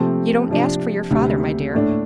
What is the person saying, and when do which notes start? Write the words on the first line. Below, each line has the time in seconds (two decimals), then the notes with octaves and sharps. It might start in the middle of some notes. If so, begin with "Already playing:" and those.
"You don't ask for your father, my dear."
Already playing: C3 F3 A3 C4
0.49 C3 F3 D4
1.11 D2 C3 G3
1.74 A2 A3 D4